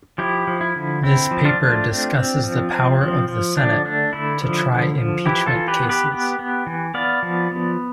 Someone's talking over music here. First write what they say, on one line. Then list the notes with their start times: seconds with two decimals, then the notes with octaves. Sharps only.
This paper discusses the power of the Senate to try impeachment cases.
0.18 F3 E4 G4
0.47 F3
0.61 E4
0.76 D3
1.03 C4 E4
1.31 F3
1.45 D4 F4
1.60 A3
1.89 C4
2.16 C4
2.44 F3
2.72 C4
3.01 F3
3.28 F3
3.56 D3 D4
3.85 A3 D4
4.13 D3 E4
4.41 F3
4.69 D3
4.98 F3
5.26 E3 E4 G4
5.46 F4 A4
5.54 E3
5.68 G4 B4
5.83 B3
5.89 G4 B4
6.11 B3
6.39 B3
6.67 E3
6.94 B3 D5 F5
7.23 F3
7.51 B3